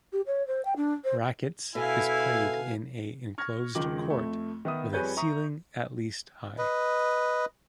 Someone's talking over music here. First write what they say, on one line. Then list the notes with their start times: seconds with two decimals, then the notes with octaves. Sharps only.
Rackets is played in a enclosed court, with a ceiling at least high.
0.12 G4
0.26 C#5
0.47 C5
0.65 G5
0.76 D4
1.04 C5
1.75 B2 E4 A4 F5 G#5
3.38 C#6 F6 G#6 A#6
3.75 E1 C#2 D#3 F3 D6 F#7
4.10 F2 A3
4.65 D#3 B3 E5 D#6
4.93 F2 G3 G#4 B4 C#5 G6
5.17 E5 A#5 C#6 D#6
6.58 B4 D#5